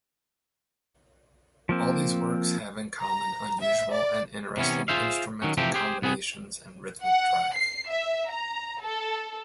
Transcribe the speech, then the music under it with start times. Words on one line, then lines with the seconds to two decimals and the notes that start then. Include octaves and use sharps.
All these works have in common unusual and interesting instrumental combinations and rhythmic drive.
1.69 F3 A#3 C4
3.02 A#5
3.63 E5
3.93 D5
4.57 C3 E3 B3 C#4
4.88 F4 G#4 C5 E5 F5
5.42 D#3 F#3 C#4
5.57 C3 E3 F3 A3 C4 G4
5.74 G4 G#4 C5
6.02 C2 B3 C4 G#4
7.04 F#5
7.55 C7
7.89 E5
8.32 A#5
8.82 A4